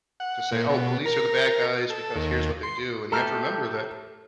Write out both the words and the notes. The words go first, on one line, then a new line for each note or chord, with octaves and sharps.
to say, "Oh, police are the bad guys because here's what they do", and you have to remember that,
F#5
A#2
B2
A#4
A4
D#2
C6
A3 G4 A4 A#5 F6